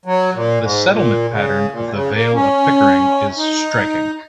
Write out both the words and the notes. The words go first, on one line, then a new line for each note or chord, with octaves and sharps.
The settlement pattern of the Vale of Pickering is striking.
F#3
A#2
G#2
A#2
C#3
A#2
C#3
A#3
C#4
D#4